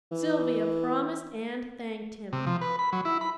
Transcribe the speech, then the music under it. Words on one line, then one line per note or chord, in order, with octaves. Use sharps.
Sylvia promised and thanked him.
E3
C3
F3
B4
B5
F#3
E4
B5